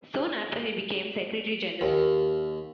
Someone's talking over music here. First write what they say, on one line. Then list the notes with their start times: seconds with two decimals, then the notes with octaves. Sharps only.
Soon after, he became Secretary General.
1.81 D#2